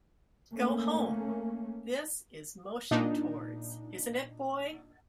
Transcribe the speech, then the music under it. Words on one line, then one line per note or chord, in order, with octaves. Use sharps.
"Go home", this is motion towards, isn't it, boy?
A3 A#3 C#4
A#2 D4 D#4